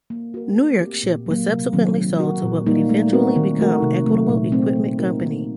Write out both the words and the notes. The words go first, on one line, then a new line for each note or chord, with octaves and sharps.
New York Ship was subsequently sold to what would eventually become Equitable Equipment Company.
A#3
F#4 A#4
A3
C4 G4
A#2
F#3 A#3
C3
D#3 F#3 C4
A#3
F#4 A#4
A#2
G3 A#3 D#4
A3
C4 F#4 A#4
D#3
A3 D#4 F#4 A#4
C3
F#3 A3
A#2
A3 C4
A#3
D#4 F#4 A#4
A#3